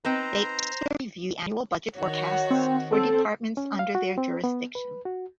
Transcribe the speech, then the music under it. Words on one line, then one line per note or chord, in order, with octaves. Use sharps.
They also review the annual budget forecasts for departments under their jurisdiction.
C4 D#4 B4 C5 A#5
D#3 F#4 C#5
C4
C4 A4
C#4
F5
F#4
C4
B3
B4
F#4